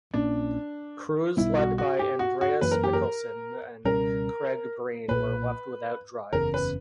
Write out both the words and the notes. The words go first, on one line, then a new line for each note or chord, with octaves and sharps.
Crews led by Andreas Mikkelsen and Craig Breen were left without drives.
A#1 A#2 A#3 C#4 D4
B1 B2 G3 B3 E4
F#4
F#4
G4
F#4
F#4
F#2 E3 A#3 B4
A#4
G4
A#4
C#2 B2 G3 C#4 A#4
B1 A#2 A#3 B4
F#1 E2 C#3 A#4
B4